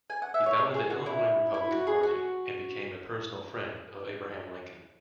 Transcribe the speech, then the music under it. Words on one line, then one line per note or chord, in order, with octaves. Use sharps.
He founded the Illinois Republican Party and became a personal friend of Abraham Lincoln.
G#5
F#5
E5
C#5
G#4
G#4
F#4
E4
E4
F#4
G#4
F#4